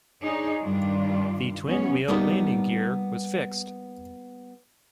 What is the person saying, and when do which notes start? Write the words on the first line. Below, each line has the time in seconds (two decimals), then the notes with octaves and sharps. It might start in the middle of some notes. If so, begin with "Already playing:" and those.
The twin-wheel landing gear was fixed.
0.23 D4 D#4 G#4 C#5
0.62 G2 D#3 G3 D4 F4
1.68 E3 F#3 B3 C#4 C#5
2.08 G3 A#3 B3 D#4